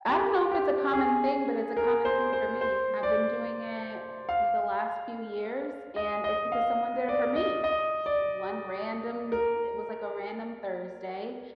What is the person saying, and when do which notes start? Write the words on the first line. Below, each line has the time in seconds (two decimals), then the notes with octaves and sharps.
I don't know if it's a common thing, but it's a common thing for me. I've been doing it the last few years and it's because someone did it for me. It was one random it was, like, a random Thursday
0.09 G4
0.51 G4
0.93 G#4
1.77 A#4
2.05 C5
2.33 C5
2.61 C5
3.03 D5
4.29 F5
5.96 D#5
6.24 D#5
6.52 F5
7.09 D5
7.36 D#5
7.64 D#5
8.06 D5
9.32 A#4